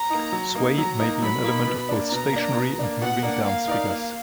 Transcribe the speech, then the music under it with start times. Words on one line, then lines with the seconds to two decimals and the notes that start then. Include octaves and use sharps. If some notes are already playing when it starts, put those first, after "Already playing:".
Sway may be an element of both stationary and moving dance figures.
Already playing: A#5
0.10 A#3 D#4
0.32 F#3
0.55 A#3 D#4
0.77 F#3 A#5
1.00 A#3 D#4
1.22 F#3 B5
1.44 A#3 D#4
1.67 B2
1.89 A#3 D4
2.12 B2 A#5
2.33 A#3 D4
2.56 B2
2.79 A#3 D4
3.01 B2 F#5
3.23 A#3 D4
3.45 A#3 F5
3.67 D#4 A#4 D5
3.90 A#3